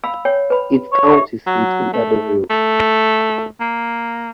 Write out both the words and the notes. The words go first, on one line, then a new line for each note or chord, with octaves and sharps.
Its county seat is Eddyville.
F5 B5 E6
C#5 G5
B4 B5
C#5
G4 E5
F#3
A3
A3
A#3